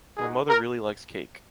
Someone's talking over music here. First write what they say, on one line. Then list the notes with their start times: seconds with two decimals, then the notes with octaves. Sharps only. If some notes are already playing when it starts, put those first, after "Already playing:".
My mother really likes cake.
0.17 G#3 D#4 F#4 G#4
0.48 A#4